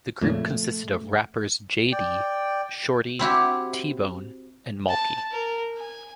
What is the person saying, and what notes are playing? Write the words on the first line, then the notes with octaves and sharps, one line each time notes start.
The group consisted of rappers J-Dee, Shorty, T-Bone and Maulkie.
F2 A#2 C#3 A3
D5 G5
C4 E4 F#4 G4
A5
A#4
G#5